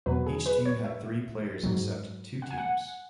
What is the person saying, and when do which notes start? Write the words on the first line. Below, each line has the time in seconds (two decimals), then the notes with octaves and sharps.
Each team had three players except two teams.
0.06 E2 B2 F#3 B4
0.26 G#4
0.46 B4
0.65 C#5
0.84 E5
1.63 G#2 F#3
2.42 F#5
2.51 G#5
2.58 F#5